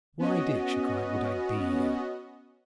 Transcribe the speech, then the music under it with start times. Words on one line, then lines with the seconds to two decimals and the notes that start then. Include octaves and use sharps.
"Why, Dick," she cried, "would I be here?"
0.19 B3 C#4 F#4 D#5